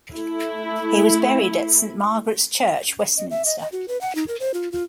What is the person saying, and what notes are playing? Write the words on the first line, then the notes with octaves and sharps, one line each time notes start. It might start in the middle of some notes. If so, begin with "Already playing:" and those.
He was buried at Saint Margaret's Church, Westminster.
A3 E4
D#5
E5
D#5
D#5
F#4
B4
F#5
D#4
A#4
C5
F4
F4